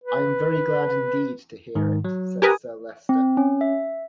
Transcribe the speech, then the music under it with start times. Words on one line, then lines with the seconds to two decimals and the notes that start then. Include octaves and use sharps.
"I am very glad indeed to hear it," says Sir Leicester.
0.04 B4
1.75 G#2 D#3
2.05 F#3
2.42 G4 A#4 B4 G#5 D#6
3.09 C4
3.37 C#4
3.61 E5